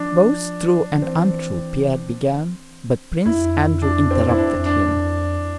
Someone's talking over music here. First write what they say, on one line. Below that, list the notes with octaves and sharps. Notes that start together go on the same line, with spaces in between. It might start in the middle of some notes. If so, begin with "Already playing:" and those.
"Both true and untrue," Pierre began; but Prince Andrew interrupted him.
Already playing: F3 D4
F3
E3 C4
F2 E4
D4
C4
G#2 E4
F2 D4
D4